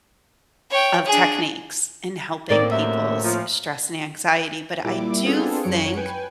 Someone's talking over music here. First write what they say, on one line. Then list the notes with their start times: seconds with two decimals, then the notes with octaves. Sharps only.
of techniques in helping people's stress and anxiety. But, I do think
0.70 C#5 G5
1.07 D4 G#4
2.50 A2 A#3 C4 D5
2.72 F#2 C3 E5
3.24 A#2 F3
4.84 A#2 G3 E4 D6
5.23 B3 C4 D4 F4 G#4 A4
5.63 F#2 F#3 C#5 C#7 D7
5.96 B4 G5 G#5